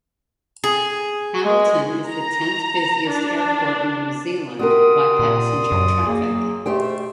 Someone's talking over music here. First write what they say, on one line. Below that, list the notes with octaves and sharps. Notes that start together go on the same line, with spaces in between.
Hamilton is the tenth-busiest airport in New Zealand by passenger traffic.
G#4
G#3
A#5
D4
F#4 G4 A#4 D5 C6 D#6
A#2
F#2
F#3 A#3 G#4
B2 A3 G4 C5 G5